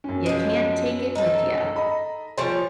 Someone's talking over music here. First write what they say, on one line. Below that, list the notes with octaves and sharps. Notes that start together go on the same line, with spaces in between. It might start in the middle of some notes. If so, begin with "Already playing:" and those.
"You can't take it with ya.
F#2 C#4
F3 G#3
D#4 A4
D#5 A#5 B5
A#2 F3 G3 C5 C#5 C6